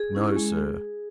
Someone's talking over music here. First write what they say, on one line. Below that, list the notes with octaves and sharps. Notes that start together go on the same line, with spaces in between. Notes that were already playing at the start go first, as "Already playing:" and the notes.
No, sir!
Already playing: G#4
C#4 E4
G#3